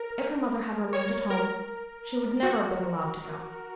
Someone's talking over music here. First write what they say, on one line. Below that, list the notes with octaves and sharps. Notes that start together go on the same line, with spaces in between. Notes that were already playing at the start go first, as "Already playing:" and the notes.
If her mother had remained at home, she would never have been allowed to go.
Already playing: A#4
C#5
A#4
F#4